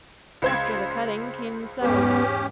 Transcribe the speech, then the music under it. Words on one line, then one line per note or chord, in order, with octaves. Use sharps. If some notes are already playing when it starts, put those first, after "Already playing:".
After the cutting came the sewing.
C#2 C5 G#6
E2 G#2 B3 C#4 G4